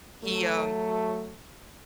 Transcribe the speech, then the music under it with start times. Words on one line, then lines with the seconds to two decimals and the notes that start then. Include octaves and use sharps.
he, um
0.24 F#3 A3